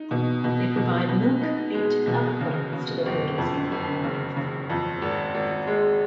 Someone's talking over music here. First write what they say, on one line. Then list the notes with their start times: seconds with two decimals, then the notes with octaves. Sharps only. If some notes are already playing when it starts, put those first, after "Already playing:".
They provide milk, meat and other products to the herders and their families.
Already playing: D#4
0.11 B2
0.44 B2
0.76 B2
1.09 B2
1.42 D#4
1.74 G#3
2.07 B2
2.40 C#3
2.73 C#3
3.06 F#1
3.38 F2
3.71 F#1
4.04 C#3
4.37 C#3
4.70 F2
5.02 G#1
5.34 G#1
5.67 G#3